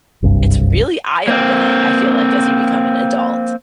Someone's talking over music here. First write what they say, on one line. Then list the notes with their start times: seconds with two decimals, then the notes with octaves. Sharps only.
it's really eye-opening, I feel like, as you become an adult
0.22 F#1 C2 G2
1.28 A#3 C4